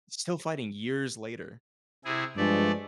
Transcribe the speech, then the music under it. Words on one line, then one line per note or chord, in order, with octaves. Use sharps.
still fighting years later.
C3 E4 G#4
G2 F3 G#3 A3 D5